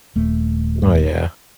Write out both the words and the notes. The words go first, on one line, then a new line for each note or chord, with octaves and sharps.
Oh, yeah.
D#1 A3